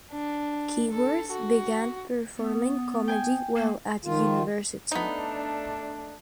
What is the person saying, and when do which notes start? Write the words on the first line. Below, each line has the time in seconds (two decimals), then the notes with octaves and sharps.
Keyworth began performing comedy while at university.
0.11 D4
0.92 A4
1.32 F#4
2.37 B3
3.08 G5 G#5
3.56 A#3
4.05 D#3 F3 F4
4.92 A3 B3 D4 D#4